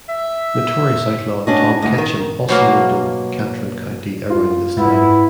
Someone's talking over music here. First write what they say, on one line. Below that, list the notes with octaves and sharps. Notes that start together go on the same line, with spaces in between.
Notorious outlaw Tom Ketchum also lived in Catron County around this time.
E5
C#4 D4 F#4 D#5
D2 G#2 D#5
D#3
B2 F#3 A#3
F4
G#2 B3 E4